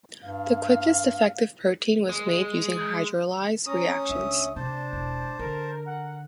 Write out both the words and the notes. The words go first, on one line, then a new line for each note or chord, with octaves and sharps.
The quickest effective protein was made using hydrolyzed reactions.
G2 F5
G#3
C#4 A#5 D#6
C#2 D4 E5
C3 D4 C5 A5
E1 G#2
D3 A#4
A#4 F#5